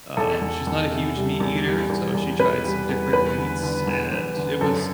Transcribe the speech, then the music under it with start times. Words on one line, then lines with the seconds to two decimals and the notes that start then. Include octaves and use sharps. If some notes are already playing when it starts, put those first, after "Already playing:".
um, she's not a huge meat eater, so she tried some different meats, and it was
0.17 E2 A4
0.41 E2
0.67 E2
0.91 C3
1.16 G3
1.40 E2
1.65 G3
1.89 E2
2.14 E2
2.39 E2 B4
2.64 G3
2.89 E2
3.13 E2 B4
3.38 D3
3.63 D3
3.87 E2
4.12 E2
4.37 D3
4.61 F#2 A4